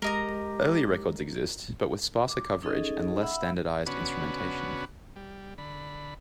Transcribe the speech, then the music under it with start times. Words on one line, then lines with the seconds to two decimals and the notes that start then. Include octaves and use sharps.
Earlier records exist, but with sparser coverage and less standardized instrumentation.
0.02 G#3 G4 A#4 D#5 A#5
2.29 D6
2.62 C#4 D#4 G#4 A4 D#5
3.21 E5 F#5 B5 E6
3.86 C#3 B3 C#4 D4 F#4 B4
5.16 G3
5.58 D3 B5